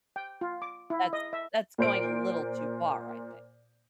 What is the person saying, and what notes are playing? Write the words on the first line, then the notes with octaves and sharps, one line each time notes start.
that's that's going a little too far, I think.
G5
F4
D6
E4
D#5
E5
A#2 C5 D7